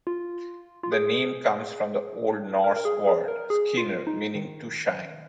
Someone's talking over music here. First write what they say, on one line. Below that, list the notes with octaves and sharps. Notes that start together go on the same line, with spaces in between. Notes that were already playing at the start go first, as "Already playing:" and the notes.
The name comes from the Old Norse word "skinr", meaning "to shine".
F4
F4
G#4
A#4
A#4
G#4
G#4
A#4
G#4
F4
D#4
D#3